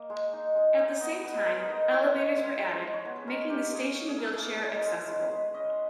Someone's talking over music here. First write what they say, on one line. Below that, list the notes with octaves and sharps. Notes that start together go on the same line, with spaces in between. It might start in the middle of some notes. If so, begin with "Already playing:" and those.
At the same time, elevators were added, making the station wheelchair-accessible.
Already playing: A#3 D#5
G#3
D#4
G#3
D#4
B3 D#5
D#5
B3 B4
B4
G#3 B4
A#4
D#4 D#5
B4
E4 C#5
G#3
G#3
G#3
G#3
C#5
B3 B4
B4
G#3 A#4
G#3 G4
A#3 G#4
C#4
G#4
E4 A#4
G#4
A#3
G#4
G#3 A#4
G#3
G#3 B4
G#3
C#4 D#5